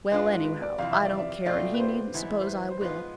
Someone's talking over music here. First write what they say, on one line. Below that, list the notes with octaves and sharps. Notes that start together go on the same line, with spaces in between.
Well, anyhow, I don't care, and he needn't suppose I will.
G#2 G#3 D4 F4 B4
B4
D5
F2 C3 E3 F5
E5
D5
E5
B2 A3 C4 F4 D5
B4
C5
G#2 E3 B3 E4
C5
B4
C5
G#2 F3 G#3 B3 F4 B4